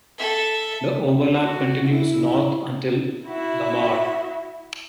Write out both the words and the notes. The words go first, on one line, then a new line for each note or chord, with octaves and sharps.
The overlap continues north until Lamar.
A4 E5
F#4
E4
E4 F#4 E5